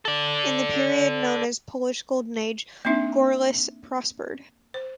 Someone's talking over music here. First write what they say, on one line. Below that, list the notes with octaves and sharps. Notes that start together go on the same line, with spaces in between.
In the period known as Polish Golden Age, Gorlice prospered.
A4 D5
A#3 C4 D4 D#4 E5
C5